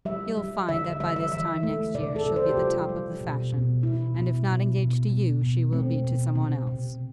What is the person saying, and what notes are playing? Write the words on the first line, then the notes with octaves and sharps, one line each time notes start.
You'll find that by this time next year she'll be the top of the fashion; and if not engaged to you, she will be to some one else.
G3 E5
G3
D3 E5
E5
G3 E5
E5
E3 E5
A3
C3 D5
A4
C3
C5
G4
G3 F4
G3
B2
B2
B2 E4
B2
B2
B2
B2
B2
A3 C4
B2
C3 C4
C3